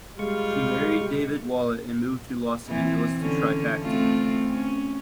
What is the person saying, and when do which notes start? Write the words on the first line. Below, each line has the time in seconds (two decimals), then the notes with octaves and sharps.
She married David Wallett, and moved to Los Angeles to try acting.
0.19 G3 G#3 F4 C#6
2.68 E3 C4
3.19 D3 C#4
3.82 A3 C4 F4
4.50 C#4